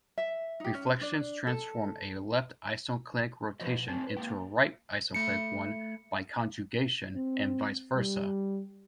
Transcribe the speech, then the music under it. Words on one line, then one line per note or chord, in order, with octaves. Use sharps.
Reflections transform a left-isoclinic rotation into a right-isoclinic one by conjugation, and vice versa.
E5
D#4 G4
C#4
D4 D5
A4
F3 E4 F#4 B4 C5 D#5
B2
A3 C4 D5 G#5 A5
B4 C5
G#3 A#3 G4 G5
A3 C#7
C4
G3